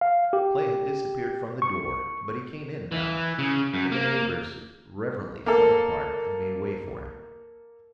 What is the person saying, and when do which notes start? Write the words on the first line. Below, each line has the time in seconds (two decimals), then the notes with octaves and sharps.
Clay had disappeared from the door; but he came in, now, and the neighbors reverently fell apart and made way for him.
0.01 F5
0.33 G4
1.62 C#6
2.92 E3
3.39 C#3
3.74 F#2
3.92 A#3
5.46 A#3 A4